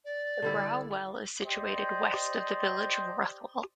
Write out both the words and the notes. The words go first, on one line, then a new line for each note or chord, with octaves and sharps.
The Brow Well is situated west of the village of Ruthwell.
D5
D3 G3 E4
G4 C5 D5 D#5 G5